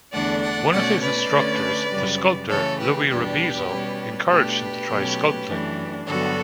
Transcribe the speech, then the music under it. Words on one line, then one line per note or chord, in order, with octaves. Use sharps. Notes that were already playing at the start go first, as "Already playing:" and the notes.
One of his instructors, the sculptor Louis Rebisso, encouraged him to try sculpting.
E2 D3 A3 D4 D5 F#5
D5 F#5
B2 A3 C#4 D5 F#5
B4 D5
D3 A3 C#4
F#2 C#3 G3
C#3 E3 A3 A4 C#5
G4 B4
E2 B2 G3 D4 G4 B4
B2 G3 C#4
B2 A3 D4 G4 B4
B2 F#3 A3 C#4
F#2 E3 A3 D4
G2 D3 F#3 B3 F#4 A4